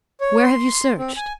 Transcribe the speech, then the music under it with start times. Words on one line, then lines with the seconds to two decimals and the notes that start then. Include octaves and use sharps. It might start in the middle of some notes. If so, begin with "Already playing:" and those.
"Where have you searched?"
0.21 C#5
0.43 C6
0.98 C4
1.16 G#5